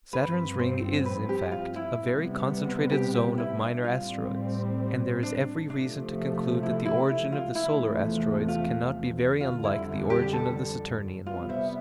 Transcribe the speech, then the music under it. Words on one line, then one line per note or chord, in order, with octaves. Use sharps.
Saturn's ring is, in fact, a very concentrated zone of minor asteroids, and there is every reason to conclude that the origin of the solar asteroids cannot be very unlike the origin of the Saturnian ones.
G2 F3 C4 B4
C5
B4
G4
F4
E4
C3 G3 B3
G4
G4
E4
D4
A2 G3 C4 F4
D4
C3 F3 A3 D4
E4
E4
E4
F4
E2 C3 F3 A3 E4
F4
F2 D3 G3 F4
E4
G4
A4
C3 G3 B3 F4
C5 E5